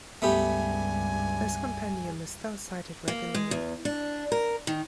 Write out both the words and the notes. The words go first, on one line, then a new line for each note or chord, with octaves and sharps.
This compendium is still cited regularly.
C#2 G2 A3 B3 G4 G#5
A#3
G#3
E2
D4
A#4
D#3